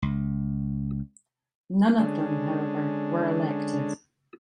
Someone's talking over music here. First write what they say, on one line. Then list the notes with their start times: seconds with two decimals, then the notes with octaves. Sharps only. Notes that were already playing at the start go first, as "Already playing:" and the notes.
None of them however were elected.
0.02 C#2
1.99 D3 G#3 C#4 D4